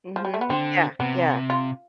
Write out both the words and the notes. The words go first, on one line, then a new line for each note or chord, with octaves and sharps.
Mhm. Yeah, yeah.
F3
G3
A3
B3
D3 C4
C3 B3
F4